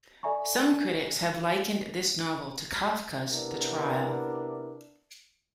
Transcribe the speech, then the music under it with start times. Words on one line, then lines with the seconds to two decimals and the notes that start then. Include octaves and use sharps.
Some critics have likened this novel to Kafka's "The Trial".
0.23 A4 D5 E5 G#5 A#5 C#6
3.31 C3 B3 D4 E4 A#4